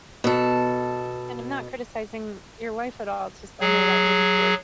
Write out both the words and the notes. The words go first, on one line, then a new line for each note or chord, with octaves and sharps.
And I'm not criticizing your wife at all, it's just I know that wouldn't work.
B2 A4
F#3 G#4